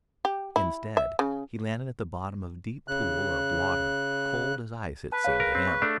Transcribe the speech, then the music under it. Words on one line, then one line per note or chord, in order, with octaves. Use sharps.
Instead he landed at the bottom of a deep pool of water cold as ice it seemed to him.
G4
E4
E5
C#3
C#3 F#6
B4 A5
G#4 C#5 F5
A#4
C4
C#6
A3 D4